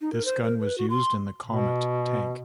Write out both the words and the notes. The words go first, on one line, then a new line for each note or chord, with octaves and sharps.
This gun was used in the Comet tank.
D#4
A#4
C5
A#4
B4
F#4
C6
B2